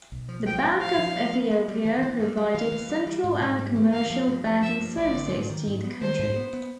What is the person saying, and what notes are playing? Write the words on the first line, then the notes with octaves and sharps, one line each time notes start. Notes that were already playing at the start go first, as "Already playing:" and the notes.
The Bank of Ethiopia provided central and commercial banking services to the country.
B1
F3
F3 G5
A2
F3 F5
F3
G3
B3
B3
G3
E3
E3
G2
G3
E3 F5
E3
G3
G3
G#2
G#2
G3
E3
G2 F5
F3
G2
F3
F3 E5
G2
A1 D5
D3
G#2
D#3
G#2
B3
D#3 C5
G#2
B3
B3